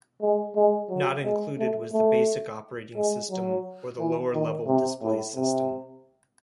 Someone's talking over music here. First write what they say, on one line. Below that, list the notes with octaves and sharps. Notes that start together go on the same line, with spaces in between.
Not included was the basic operating system, or the lower-level display system.
G#3
G#3
F#3
G#3
A3
A3
G#3
F#3
E3
D#3
C3
A2
C3